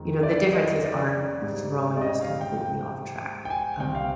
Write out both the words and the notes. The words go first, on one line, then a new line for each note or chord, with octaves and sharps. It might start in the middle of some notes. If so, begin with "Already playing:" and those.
you know, the differences aren't throwing us completely off track. Um,
Already playing: F2 D#3 G#3
D5
D#5
D5
G#2 G3
D5
D#5
F5
G5
G5
G5
G#5
C2 C3 G3 G5
F5